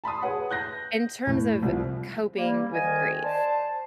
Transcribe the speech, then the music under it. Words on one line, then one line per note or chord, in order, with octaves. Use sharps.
in terms of coping with grief-
A5 B5 C6 D#6
G#4 B4 C#5 F#5
F#6 G6 A#6
A2
C2 F3
G3 A#3
D2 D#3 D#5 G#5
C5 D5 A5